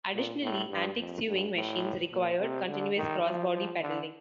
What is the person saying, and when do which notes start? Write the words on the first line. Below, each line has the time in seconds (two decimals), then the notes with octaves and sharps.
Additionally, antique sewing machines required continuous cross body pedaling.
0.14 A#2
0.42 A2
0.70 G2
0.99 F2
1.27 G2
1.55 A2
2.12 A#2
2.40 C3
2.68 D3
2.97 D#3
3.25 F3
3.53 F3
3.81 D3